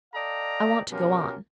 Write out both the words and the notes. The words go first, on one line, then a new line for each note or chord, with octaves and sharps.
"I want to go on."
A4 D5 D#5 F5 G5 A#5
B2 C#4 F4 G4 A#4